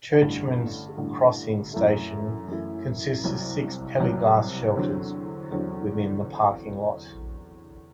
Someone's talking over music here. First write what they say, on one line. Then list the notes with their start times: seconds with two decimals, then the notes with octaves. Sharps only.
Churchmans Crossing station consists of six plexiglass shelters within the parking lot.
0.22 A1 G2 D3
0.97 A1 G2 D3
1.72 F#2 E3 A3 E4
2.48 F#2 E3 A3 E4
3.24 C2 C3 F#3
4.00 C2 C3 F#3
4.76 E2 D3 F#3 C4
5.51 E2 D3 F#3 C4